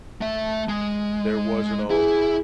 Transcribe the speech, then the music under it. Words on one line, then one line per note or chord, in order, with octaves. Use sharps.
there wasn't, um
A3 E5
G#3
E4 G#4